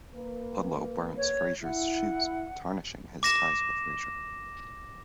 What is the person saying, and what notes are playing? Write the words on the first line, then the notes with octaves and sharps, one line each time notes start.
Ludlow burns Frasier's shoes, tarnishing his ties with Frasier.
A#3 B4
C#5
E4 F#5
D6 A#6 E7